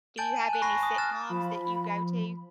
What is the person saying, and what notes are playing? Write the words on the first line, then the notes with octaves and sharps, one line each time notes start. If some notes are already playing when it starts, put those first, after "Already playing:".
Do you have any sitcoms that you go to?
G#5 A5 G6 A6 D7 F#7
D#7 E7
G#5 F#6
G#5 B5 C#6 A#6 C7
D#6
F6 F#6 A6 E7
F3 B5